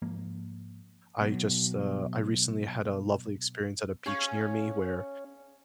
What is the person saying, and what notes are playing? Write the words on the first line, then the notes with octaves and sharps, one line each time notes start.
I just, uh, I recently had a lovely experience at a beach near me where
G#2 F3 A#3
B2 F#3
C#4 G#4 C#5 F5